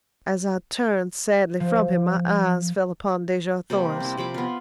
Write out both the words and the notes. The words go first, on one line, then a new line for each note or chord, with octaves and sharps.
As I turned sadly from him my eyes fell upon Dejah Thoris.
F3
C3 G3 A#3 C4
C4 E4
C3 F3 B5 D6
B3 F4